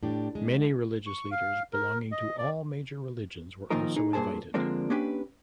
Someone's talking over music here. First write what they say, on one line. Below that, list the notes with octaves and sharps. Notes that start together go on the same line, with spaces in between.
Many religious leaders belonging to all major religions were also invited.
A2 D4 G4
G#3
C#6
F5
A#4
D#5
D5
A#2 D#3 F3 A#3 D#4 A#4
D#4 G#4
G2 A#2 A3 G#4 C5 A5
D3 F3 G#3 A#3 C4 D4
A#3 C#4 D4 G4 B4